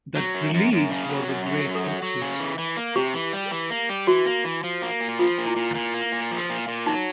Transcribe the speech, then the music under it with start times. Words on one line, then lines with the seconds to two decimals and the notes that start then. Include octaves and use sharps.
The release was a great success.
0.17 F#3
0.35 F#2
0.54 F#2
0.72 F#2
0.91 C#3
1.09 F#3
1.28 F#2
1.46 F#3
1.65 F#2
1.75 A4
1.84 F#3 G#4
2.02 F#3
2.21 C#3
2.40 E3
2.59 E3
2.77 A#3
2.96 C3 G4
3.14 E3
3.33 G3
3.51 E3
3.70 A#3
3.89 G3
4.07 E3 F#4
4.26 A#3
4.44 E3
4.64 F3
4.82 A#3
5.01 A#2
5.19 F3 F4
5.38 A#2
5.47 E4
5.56 A#2
5.75 A#2
5.94 A#3
6.12 A#2
6.31 F3
6.50 A#2
6.68 A#2
6.86 F#3 D#4